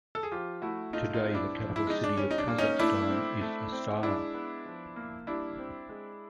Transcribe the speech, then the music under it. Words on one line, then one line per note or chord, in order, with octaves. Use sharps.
Today, the capital city of Kazakhstan is Astana.
A4
G#4
F3 F4 G4
A3 E4 F#4
A3 D#4 F4
D#4 F4
C4
D4 E4
F3
E4
G#3 D#4
D4
G3 C#4
D#4
D4
A#3
C#4 D#4
A3 D4 E4
C4
A3
C4
G#3 D4 E4
B3
F3
A#3
G3 D4 E4
C4
G#3